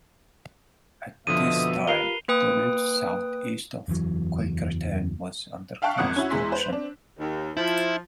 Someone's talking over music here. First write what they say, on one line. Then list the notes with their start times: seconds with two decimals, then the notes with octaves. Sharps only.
At this time, the route southeast of Quakertown was under construction.
1.27 F2 B2 D3 F3 E5 D#6 D#7
1.87 F4 G4 A#4 B4 F5 C7 F7 G7
2.28 A#3 B4 G5 D#6
3.88 F#1 E2 E3 F#3
5.82 E5 F5 G5 A5 C#6 F#6
5.98 G#1 F2 F#5 D#6 F#6 C#7
6.16 C#4 E4 F#4
6.30 E2 G#3 E4 G#5 C6 B6
6.52 B4 C5
6.69 C4 D4
7.18 D#2
7.57 F3 E4